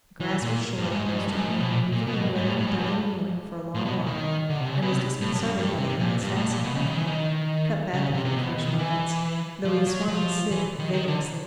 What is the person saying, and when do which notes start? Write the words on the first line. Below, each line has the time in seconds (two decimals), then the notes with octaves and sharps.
The grass was short close to the road, and Levin, who had not done any mowing for a long while, and was disconcerted by the eyes fastened upon him, cut badly for the first moments, though he swung his scythe vigorously.
0.20 E3
0.42 A#2
0.78 G2
0.92 G#2
1.06 G#2
1.16 G2
1.28 F#2
1.38 G#2
1.50 A2
1.60 B2
1.70 A#2
1.92 A#2
2.07 B2
2.20 G2
2.35 G#2
2.46 A2
2.57 A2
2.67 G#2
2.78 G2
3.74 A2
3.86 B2
4.06 D#3
4.49 D3
4.60 C3
4.70 C#3
4.82 B2
4.92 C3
5.21 A2
5.35 F#2
5.57 G2
5.78 C3
6.00 A#2
6.21 G2
6.36 A2
6.50 A#2
6.64 B2
6.75 C#3
6.86 D#3
6.97 E3
7.07 D#3
7.93 C#3
8.14 C3
8.25 C3
8.36 B2
8.57 D#3
8.79 E3
9.65 F3
9.87 F#3
10.08 F3
10.51 E3
10.79 D#3
10.93 D#3
11.08 D3